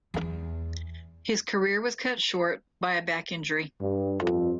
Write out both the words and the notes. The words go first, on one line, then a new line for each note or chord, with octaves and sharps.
His career was cut short by a back injury.
E2
G2
F2